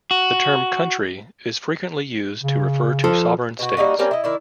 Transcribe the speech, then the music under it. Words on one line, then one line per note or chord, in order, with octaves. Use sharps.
The term "country" is frequently used to refer to sovereign states.
F#4
C#3
F3 A4
B2 F#4
G3 A#3 D#4 F#4
G3 A#3 C4 C#4
E4 D#5
D#3 E4 D5